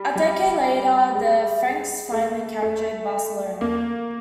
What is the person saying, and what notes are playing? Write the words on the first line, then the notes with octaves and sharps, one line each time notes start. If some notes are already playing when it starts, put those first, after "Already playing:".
A decade later the Franks finally captured Barcelona.
Already playing: G3
G3
G#3
A3
A3
A#3